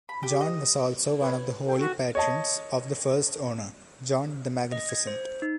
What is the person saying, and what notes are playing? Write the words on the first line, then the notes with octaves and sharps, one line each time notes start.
John was also one of the holy patrons of the first owner, John the Magnificent.
B5
G4
D#5
B4 C#5
A4 G5
F#4
C#5 D#5 A5
D#5
G#6
C5
D#4